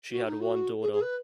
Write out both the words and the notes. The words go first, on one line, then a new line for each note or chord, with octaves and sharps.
She had one daughter.
F#4
D#4
F#4
G#4
G#4
B4